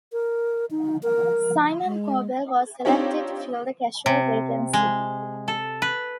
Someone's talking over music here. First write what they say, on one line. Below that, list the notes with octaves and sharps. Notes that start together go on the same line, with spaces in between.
Simon Corbell was elected to fill the casual vacancy.
A#4
D#4
A#4
G#3
C4 D4 D#4 F4 G4 C#5
C3
G#3
A4
B4